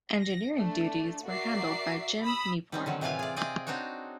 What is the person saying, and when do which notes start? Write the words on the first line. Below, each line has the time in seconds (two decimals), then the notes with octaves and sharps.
Engineering duties were handled by Jim Nipor.
0.22 A#6
0.54 A3 D4
1.26 F#4 A#4 D5 E5 D6 C7
2.22 B5 D#6 E6
2.72 G3 C4 C#4
2.86 D3 D#3 F#3
3.01 A2 C3 E3 F4 F5 G#5
3.19 G#4 D5
3.36 C4 G#4 D5 D#5
3.67 C4 D4 D#4 F#4 C#5